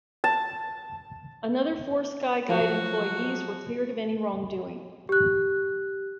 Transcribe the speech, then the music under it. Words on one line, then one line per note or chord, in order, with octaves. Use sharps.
Another four Skyguide employees were cleared of any wrongdoing.
A5
F3 F#3 F#4
G4 F#6